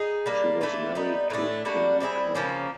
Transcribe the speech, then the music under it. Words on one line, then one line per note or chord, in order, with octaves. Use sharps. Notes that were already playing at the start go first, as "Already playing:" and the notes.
She was married to King Ka.
Already playing: D#4 G#4
G3 A#3 D4
E3 A3 D4 F4
G3 B3 D#4
A2 E3 A3 D4
G3 A#3 D4 F#4
G3 C4 E4 G#4
C#3 F3 A#3 C#4